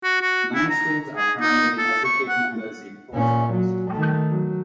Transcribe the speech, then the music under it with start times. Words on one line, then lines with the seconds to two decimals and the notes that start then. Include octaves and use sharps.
Nine schools are currently Associate members in four sports.
0.04 F#4
0.22 F#4
0.55 E4
0.70 A#5
1.17 G#4
1.41 D#4
1.78 A4
2.04 C#6
2.29 F#5
3.14 A#2 C#4
3.53 F#3
3.91 D#3 A3
4.31 F#3